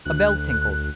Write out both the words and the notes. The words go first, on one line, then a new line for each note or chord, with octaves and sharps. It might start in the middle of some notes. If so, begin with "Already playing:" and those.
A bell tinkled.
D2 F#6